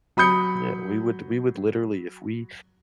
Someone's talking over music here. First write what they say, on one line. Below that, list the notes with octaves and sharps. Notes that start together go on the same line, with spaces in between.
Yeah, we would we would literally if we
F#3 B5 D#6 G6 C#7